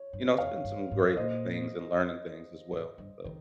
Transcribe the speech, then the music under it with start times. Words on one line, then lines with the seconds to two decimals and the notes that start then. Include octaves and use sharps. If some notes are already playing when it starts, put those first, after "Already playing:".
you know, it's been some great things and learning things as well, so
Already playing: C#5
0.13 G2
0.38 F2 C#5 F5
0.64 G2
0.91 G#2
1.17 A#2 C5 D#5
2.72 G#2
2.98 G2
3.25 D#3